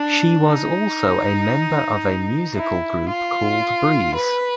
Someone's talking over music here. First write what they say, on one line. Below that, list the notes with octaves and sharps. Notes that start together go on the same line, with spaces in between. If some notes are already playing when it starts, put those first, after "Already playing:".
She was also a member of a musical group called Breeze.
Already playing: D4
D#4
E4
F4
B4